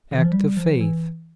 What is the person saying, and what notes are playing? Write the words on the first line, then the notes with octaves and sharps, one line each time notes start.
Act of Faith.
D3
E3
F3
G3
F3
E3